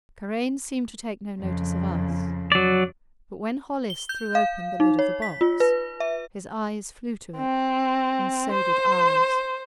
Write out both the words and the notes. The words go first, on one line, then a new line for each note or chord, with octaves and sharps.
Karain seemed to take no notice of us, but when Hollis threw open the lid of the box his eyes flew to it--and so did ours.
F2 C#3
F#3 D5
G7
G6
F5
D#4
C#5
B6
F4
B4
E5
C4
C5